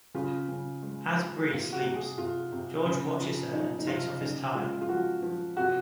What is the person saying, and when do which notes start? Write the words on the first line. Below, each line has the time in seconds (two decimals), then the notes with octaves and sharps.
As Bree sleeps, George watches her and takes off his tie.
0.14 C#3 F4
0.48 C#3
0.82 G#3
1.16 F3
1.50 C3 F4
1.72 F#4
1.84 C3
1.96 G#4
2.18 C3 F4
2.52 C3
2.85 C#3
3.20 F3
3.53 F3 D#4
3.79 D#4
3.87 F3 F4
4.21 C#3 D#4
4.55 G#3 F4
4.81 F4
4.89 F3 F#4
5.22 F3
5.57 C3 F#4